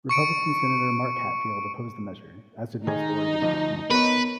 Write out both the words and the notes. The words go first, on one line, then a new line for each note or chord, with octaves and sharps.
Republican Senator Mark Hatfield opposed the measure, as did most Oregon newspapers.
C#6 C#7 D7
D#3 D#4 G#4
D2 F3
B3 A#4 B4 C#5